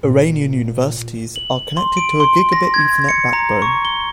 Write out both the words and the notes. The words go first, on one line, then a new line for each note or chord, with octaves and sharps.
Iranian universities are connected to a gigabit ethernet backbone.
A#2
F#7
C6
D7
C6
A#6
G#6
C#7
A#5
C#6
G7